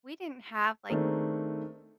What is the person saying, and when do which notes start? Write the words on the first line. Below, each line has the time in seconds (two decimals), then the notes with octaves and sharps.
we didn't have, like,
0.90 D#3 A3 C4 D4 G#4 A#4